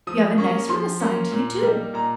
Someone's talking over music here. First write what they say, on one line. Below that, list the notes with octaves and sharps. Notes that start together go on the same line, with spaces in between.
You have a nice room assigned to you, too.
F3 D#6
A#3 C#4 C#6
F3 C6
A#3 C#4
A#2
G3 A#3 D#4
A#2 A#5